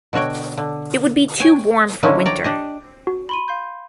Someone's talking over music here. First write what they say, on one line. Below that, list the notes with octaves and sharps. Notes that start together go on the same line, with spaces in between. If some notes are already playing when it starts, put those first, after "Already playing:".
It would be too warm for winter.
B2 D3 F#4 C#5 G5
D3
C#5 G5 G#5
D3 F3 F#3 G#3 C#4 E4
C#5 D5 G5 A#5
D4 G4 D#5
F#4
B5 C6 D#7
F5 C6 G6